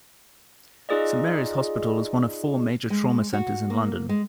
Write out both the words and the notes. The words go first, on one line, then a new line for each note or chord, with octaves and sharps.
Saint Mary's Hospital is one of four major trauma centres in London.
D#4 F4 G#4 D5 D#5
G#3
F#4
A#3
G#3